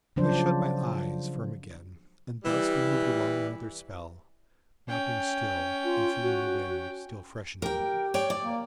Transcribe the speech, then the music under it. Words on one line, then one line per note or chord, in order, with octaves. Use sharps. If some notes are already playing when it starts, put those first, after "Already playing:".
I shut my eyes firm again, and thus we moved along another spell, mounting still and feeling the wind still freshening.
C#3 F3 F#3 D4 C5
E3 G3
C#4 G5
F4
F#4
G4 A#4 G5
C#5 D5 G5
D5
A#3